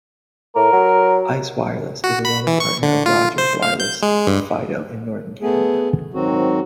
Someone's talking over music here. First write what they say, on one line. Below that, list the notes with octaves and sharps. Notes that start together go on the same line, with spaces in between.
Ice Wireless is a roaming partner of Rogers Wireless and Fido in Northern Canada.
A2 A#4
F#3
F#4
B5
E3
C#6
D3
F4
C5
F5
G6
G#3
G2
A3 B3 G#4
G#2 D#3 F#3 C4 F#4